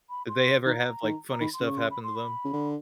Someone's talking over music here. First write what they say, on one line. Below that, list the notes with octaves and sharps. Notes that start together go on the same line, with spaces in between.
Did they ever have, like, funny stuff happen to them?
B5
C6
D#3 A#5
D#3
A#5
D#3 B5
C6
C#3
C#6
C6
B5
C6
B5
C#3
D3